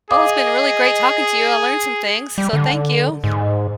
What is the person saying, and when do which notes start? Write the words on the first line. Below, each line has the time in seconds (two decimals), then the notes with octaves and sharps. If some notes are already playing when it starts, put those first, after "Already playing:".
Well, it's been really great talking to you, I learned some things, so thank you.
0.11 G#4 D#5 F5 D6 D#6
2.38 G3
2.53 D3
3.24 G#2